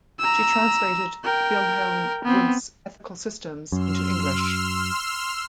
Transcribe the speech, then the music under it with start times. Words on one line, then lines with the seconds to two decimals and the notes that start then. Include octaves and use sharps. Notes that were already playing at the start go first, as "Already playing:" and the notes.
She translated Wilhelm Wundt's "Ethical Systems" into English.
0.19 A#5 E6
1.24 A#4 G5
2.24 B3 C4
3.72 F#2 C6 E6 F6